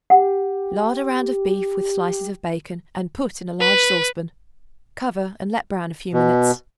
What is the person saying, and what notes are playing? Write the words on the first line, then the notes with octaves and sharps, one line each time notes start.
Lard a round of beef with slices of bacon and put in a large saucepan. Cover and let brown a few minutes.
G4 F#5
B4
B2